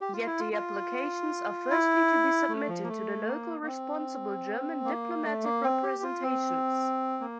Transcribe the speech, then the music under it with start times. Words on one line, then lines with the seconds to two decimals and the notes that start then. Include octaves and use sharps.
Yet the applications are firstly to be submitted to the local responsible German diplomatic representations.
0.01 G4
0.14 F4
0.26 E4
0.40 F4
0.53 F4
1.70 E4
2.49 A3
2.68 F3
2.84 A#3
2.89 A3
3.28 A#3
3.63 A#3
3.67 C4
4.85 A#3
5.24 A3
5.44 A#3
5.64 C4
5.83 G4
6.03 F4
6.23 C4
7.21 A#3